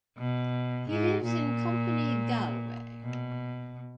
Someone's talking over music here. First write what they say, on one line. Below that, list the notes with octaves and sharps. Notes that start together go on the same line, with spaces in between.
He lives in Company Galway.
B2
G#2
A#2
B2